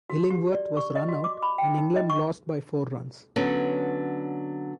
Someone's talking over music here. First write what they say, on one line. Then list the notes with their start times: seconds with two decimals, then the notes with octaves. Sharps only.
Illingworth was run out, and England lost by four runs.
0.10 F#4
0.30 G4
0.53 D5
0.77 C#6
0.95 D#5
1.09 F#4
1.24 D6
1.42 B5
1.58 G5
1.78 D#4
1.96 D#5
2.10 C#6
3.36 D3 F#3 B3 C#4